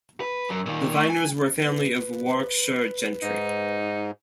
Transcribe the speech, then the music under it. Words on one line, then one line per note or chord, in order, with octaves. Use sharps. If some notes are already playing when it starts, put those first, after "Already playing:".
The Vyners were a family of Warwickshire gentry.
B4
F#2
A#2 D#3
A3
G#5
B4
G#2 D#4